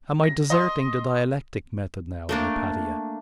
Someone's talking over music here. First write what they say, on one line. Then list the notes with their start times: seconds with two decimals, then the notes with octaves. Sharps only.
Am I deserting the dialectic method now, Hypatia?....
0.23 A#6
0.50 D#5 C6 D#6
2.29 A3 A#3 D4